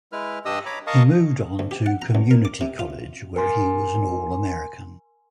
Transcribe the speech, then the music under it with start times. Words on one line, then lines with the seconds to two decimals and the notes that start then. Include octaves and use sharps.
He moved on to community college, where he was an All-American.
0.12 G#3 E4 B4 F6
0.45 G2 D4 G4 D#5 D#6 E6
0.66 C#5 A#5 B5 D6
0.87 A#4 D#5 F5 A5 C#6 D#6
1.59 D2
1.71 G4
1.86 F#5
2.02 A#5
2.15 C#2
2.31 A#4
2.45 D6
2.61 C3
2.79 F4
3.36 A#4 G#5 C6